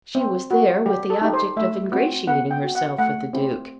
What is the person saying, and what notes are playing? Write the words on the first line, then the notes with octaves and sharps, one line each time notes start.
She was there with the object of ingratiating herself with the Duke.
C4
F#4
G3 G4
A4
D#4 G4
C5
A3 E5
C4 F#4
B3 F#5
G5
F#4
F#5
A3 F#5
C4 E4 G4